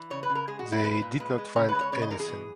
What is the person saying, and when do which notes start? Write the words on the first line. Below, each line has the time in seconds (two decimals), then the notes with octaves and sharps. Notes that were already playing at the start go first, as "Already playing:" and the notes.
They did not find anything.
Already playing: E3
0.10 C#3 C#5
0.23 B4
0.30 C#3
0.35 A#4
0.47 G#3 G#4
0.59 F#4
0.66 G#3
0.72 E4
0.84 A#2 B4
1.02 A#2
1.20 G#3 B4
1.38 G#3
1.56 C#3 C#5
1.69 B4
1.75 G#3
1.81 C#5
1.92 C#3 C#5
2.02 D#5
2.10 E3 A#4
2.20 G#4
2.28 B2